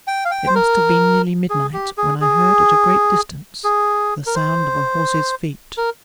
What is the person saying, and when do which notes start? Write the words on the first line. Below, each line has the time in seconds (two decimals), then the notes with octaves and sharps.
It must have been nearly midnight when I heard at a great distance the sound of a horse's feet.
0.07 G5
0.25 F5
0.31 G5
0.47 C5
0.55 A#4
1.50 G#4
1.73 G4
1.98 G#4
2.21 G#4
3.64 G#4
4.27 A#4
4.35 C5
5.77 A#4